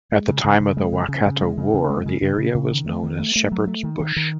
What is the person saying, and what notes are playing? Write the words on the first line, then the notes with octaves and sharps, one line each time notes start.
At the time of the Waikato War, the area was known as Sheppards Bush.
G#3
C#3
C#3
C#3
G#3
C#3
C#3
C#3
G#3
C#3
C#3
G#3
C#3
C#3
C#3
C#3
D#3
A3
D#3
A3
A3
F#3
A3
D#3
D#3
D#3